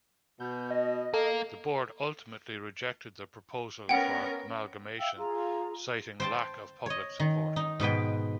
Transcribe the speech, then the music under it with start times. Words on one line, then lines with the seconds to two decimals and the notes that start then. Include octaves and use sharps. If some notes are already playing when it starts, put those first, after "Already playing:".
The board ultimately rejected the proposal for amalgamation, citing lack of public support.
0.40 B2 G6
0.71 D#5
1.14 A#3 A4
3.89 B3 C#4 A#4 F#5 G5
4.99 E5 F5 G5 E6
5.17 F4 G#4 A#5
6.20 C5 G5 A5
6.86 C#5 D#5
7.20 D#3
7.56 D#4
7.80 G#2 B2 B4 G5